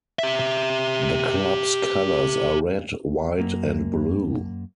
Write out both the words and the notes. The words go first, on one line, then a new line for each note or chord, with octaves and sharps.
The club's colors are red, white and blue.
G4 E5
F#2 A#3